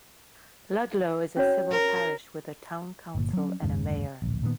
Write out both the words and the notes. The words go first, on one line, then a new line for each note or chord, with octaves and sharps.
Ludlow is a civil parish with a town council and a mayor.
C#4 F#4 C#5
A#4
G1 A#2
F#3 C#4
F#1 D#2 G#2 C#3
D1 A#1
A#2 D#3 G#3 B3